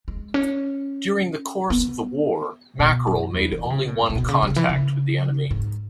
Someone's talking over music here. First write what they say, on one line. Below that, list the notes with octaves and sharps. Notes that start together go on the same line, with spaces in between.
During the course of the war, "Mackerel" made only one contact with the enemy.
G#3
C#4
B3
B2
F#2
E2
E3
C#3
B2
G#2
C#3
B2
C#3
C#3
E3
C#3
G#2